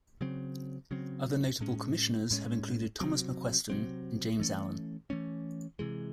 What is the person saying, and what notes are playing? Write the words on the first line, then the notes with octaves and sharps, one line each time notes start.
Other notable Commissioners have included Thomas McQuesten and James Allan.
C#3 F#3 C4
C#3 F#3 C4
A2 G#3 C#4
A2 G#3 C#4
C3 F#3 C4
C3 F#3 C4
E3 A3 C#4
E3 A3 C#4
C3 E3 G#3